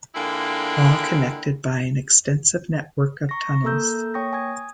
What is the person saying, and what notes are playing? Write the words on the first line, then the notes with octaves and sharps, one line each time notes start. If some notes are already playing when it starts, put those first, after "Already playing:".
All connected by an extensive network of Tunnels.
D3 G#3 A#3 E4 F4 G5
A#5 C#6 A#6
A#3 A4 A#5 E6 G6
A#3 C#5 G5 C#6 D#6 A#6
G#5 D#6 G#6